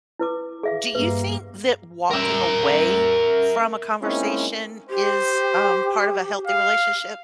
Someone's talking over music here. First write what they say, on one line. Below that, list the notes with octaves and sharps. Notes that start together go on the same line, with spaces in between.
Do you think that walking away from a conversation is, um, part of a healthy relationship?
E4 B4 D6
G#4 E5 F5
G2 A#3 B4
A#4 E5
G#3 A#3 C4 C#4 D#4 E4
G4 C5
F5